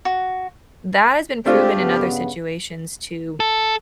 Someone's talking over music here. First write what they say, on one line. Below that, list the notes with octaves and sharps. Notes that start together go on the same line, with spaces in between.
that has been proven in other situations to
F#4
A3 C4 D4 F4 G4
G2 C#3 B3
A4